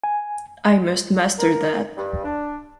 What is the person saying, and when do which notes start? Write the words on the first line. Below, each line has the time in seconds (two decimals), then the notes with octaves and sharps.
I must master that.
0.04 G#5
1.38 A#4
1.97 G2
2.24 D4